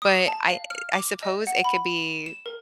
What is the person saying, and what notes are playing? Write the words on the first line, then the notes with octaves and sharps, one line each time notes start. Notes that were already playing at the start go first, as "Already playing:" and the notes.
But I I suppose it could be
D#6
A5
F5
F6
D6
D#5
F#5
B5
E7
A#4